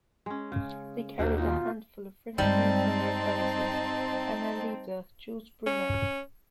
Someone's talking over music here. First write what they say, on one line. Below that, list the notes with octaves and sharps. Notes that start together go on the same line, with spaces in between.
They carried a handful of French military advisors, and their leader Jules Brunet.
G#3 C#4
C#3
D#2 B2 D4 D#4 C5
D#4 F4
G2 G3 G#3 C4 D#4 A5
C#4